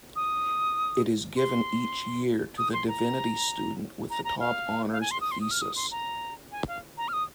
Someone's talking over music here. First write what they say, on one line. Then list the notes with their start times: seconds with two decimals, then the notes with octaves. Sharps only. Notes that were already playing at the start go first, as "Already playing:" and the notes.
It is given each year to the Divinity student with the top Honours Thesis.
0.16 D#6
1.37 C6
2.58 D#6
2.73 C6
2.88 A#5
4.10 A#5
4.25 A#5
4.40 F5
4.92 F5
5.01 G#5
5.11 C6
5.21 D#6
5.31 C6
5.41 D#6
5.51 F6
5.61 D#6
5.76 C6
5.91 A#5
6.52 G#5
6.68 F5
6.98 A#5
7.08 F6
7.13 D#6